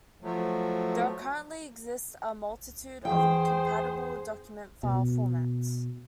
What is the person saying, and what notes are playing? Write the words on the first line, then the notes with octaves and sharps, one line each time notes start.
There currently exists a multitude of incompatible document file formats.
F3 F#3 A3
E2 G#4 C5 G5
B2